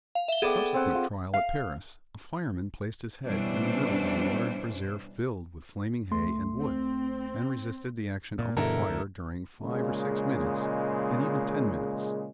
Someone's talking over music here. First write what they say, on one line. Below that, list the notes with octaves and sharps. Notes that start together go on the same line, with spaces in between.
In a subsequent trial, at Paris, a fireman placed his head in the middle of a large brazier filled with flaming hay and wood, and resisted the action of the fire during five or six minutes and even ten minutes.
F5
E5 G7
B3 G#4 A4 D5 G5
C4 F#5
F4
F5
B2 E3 G3 C#4 D4 C5
C#2 A3 C6
C4
A#2
G2 B2 D3 E4 A4 A#4
D2
A#2 C#3 G#3